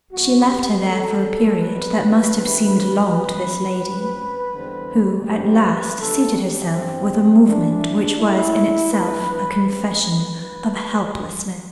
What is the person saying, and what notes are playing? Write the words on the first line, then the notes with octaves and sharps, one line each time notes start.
She left her there for a period that must have seemed long to this lady, who at last seated herself with a movement which was in itself a confession of helplessness.
E2 B2 G3 B3 F#4
G4
E2 B2 F#3 A4
C2 B2 G3 B3 B4
D2 C3 E3 B3
F#2 E3 B3 B4
F#2 F#3 C4
E2 D3 G3 C4
F#2 D3 G3 C4 G4
B4
D2 D3 G3 B3 A4
G4
G2 E3 G3 B3 C4
G2 E3 A3 C4 D4
F#2 F#3 A3 E4
E2 D3 A3 B4
F#2 F#3 A3 C4 B4
D2 B4